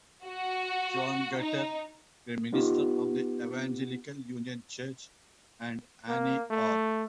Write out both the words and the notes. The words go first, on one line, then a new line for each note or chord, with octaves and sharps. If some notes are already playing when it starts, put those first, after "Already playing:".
John Guthrie, a minister of the Evangelical Union church, and Anne Orr.
F#4
D#4
B3 D#4 F4 G4
A#3
A3